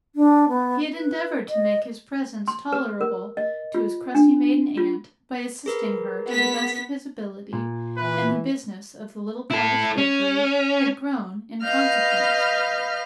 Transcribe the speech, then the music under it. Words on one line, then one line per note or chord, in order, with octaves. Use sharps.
He had endeavoured to make his presence tolerable to his crusty maiden aunt by assisting her to the best of his ability, and the business of the little cottage bakery had grown in consequence.
D4
B3
B4
D#5
C6
B4
A#4
D#5
F4
D4
F4
G#4 A#4 B4
B3 B6
A#2
E3 B4
E4 A4
C#4
B4 D#5 F5 F6 G6